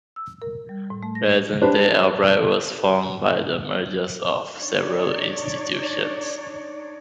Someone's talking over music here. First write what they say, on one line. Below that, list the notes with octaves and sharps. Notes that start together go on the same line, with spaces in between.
Present-day Albright was formed by the mergers of several institutions.
E6
A#4
G3
A2
A3
A#6
D4 G4 B4 C5
D4 D#4 C#5 D5